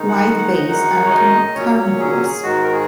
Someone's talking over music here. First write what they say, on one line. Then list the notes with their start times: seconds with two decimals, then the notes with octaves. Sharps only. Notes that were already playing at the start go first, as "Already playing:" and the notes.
White bass are carnivores.
Already playing: D#3 G#3 D#4
0.08 F#5
0.38 F#5
0.57 D#5
0.67 F#2 D#3 G#3 D#4 F#5
1.05 C#5
1.11 D#5
1.55 A#2 F#3 C#4 C#5
1.99 G#4
2.43 G#2 D#3 G#3 F#4
2.63 A#4
2.72 G#4